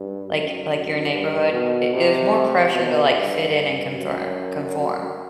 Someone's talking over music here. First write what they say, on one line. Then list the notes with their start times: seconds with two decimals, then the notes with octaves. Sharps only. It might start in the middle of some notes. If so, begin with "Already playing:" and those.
like like your neighborhood, i there's more pressure to, like, fit in and confir conform.
Already playing: G2
0.29 F#2
1.11 G2
1.52 B2
1.93 C3
2.75 B2
3.16 G2
3.97 F#2